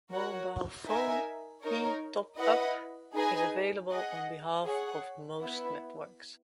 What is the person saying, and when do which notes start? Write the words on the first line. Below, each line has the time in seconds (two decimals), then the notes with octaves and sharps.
Mobile phone E Top-up is available on behalf of most networks.
0.11 F#4 A#4 C#5 F#5
0.87 D#4 A#4 E5 G#5
1.62 D#4 A#4 C#5
2.38 E4 B4 D#5 F#5
3.14 D#4 G#4 B4 D#5 G#5
3.90 G#4 D#5 F#5
4.65 G#4 C#5 F#5
5.42 B3 E4 B4